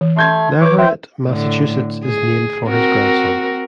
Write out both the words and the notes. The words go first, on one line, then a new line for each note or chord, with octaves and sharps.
Leverett, Massachusetts is named for his grandson.
E3
A3 C6 G6 G#6
E3 B4 C#5 D6
C5 E5 G5
A2 D3
G#4
C4 F#4 A#4